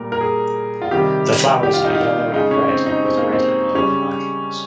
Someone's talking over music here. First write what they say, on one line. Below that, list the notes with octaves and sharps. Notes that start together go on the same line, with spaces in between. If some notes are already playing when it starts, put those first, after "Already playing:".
The flowers are yellow and red with red and yellow markings.
Already playing: A#2 G3 A#4
A#4
G#4
F4
C3 D#3 G3 G4
G4
F4
D#4
F4
C#3 G#3 D#4
C#4
C4
D#4
C4
A#3
C4
C#3 G3 C#4